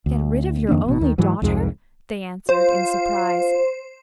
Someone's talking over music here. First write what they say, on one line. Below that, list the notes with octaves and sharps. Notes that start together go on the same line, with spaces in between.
'Get rid of your only daughter?' they answered, in surprise.
D2
F2 D#3 A#3 D4
A1 B2
D#2 D#3
G#2 E3 F#3
C2 F2 G#2 G#3
F4 C5